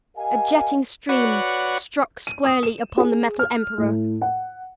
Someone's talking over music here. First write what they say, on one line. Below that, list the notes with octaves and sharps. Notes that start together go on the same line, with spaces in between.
A jetting stream struck squarely upon the Metal Emperor.
G4 A#4 D#5 F5 G#5
F#4 B4 C#5 D5 F#5
D#7
D#6
E7
G#4
F6
A2
F#5